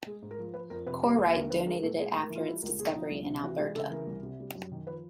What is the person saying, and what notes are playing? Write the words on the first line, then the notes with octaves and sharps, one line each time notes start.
Korite donated it after its discovery in Alberta.
G#3 G#4
G#2
A#4
F3
F3 B4
F2 A#4
C3 B4
G3 A#4
D#2 B4
D3 A#4
F3 B4
G#3 A#4
A#2 A4
G#3 G#4
A2
A#4
E3
F4
G3 E4
C#2 A#4
B2 G#4
F3 D#4
C2
C3
E3 F#4
G#3 G4
C#3 A4
E3 A#4
C2
C3
G3
F#2
D#3
F3 B4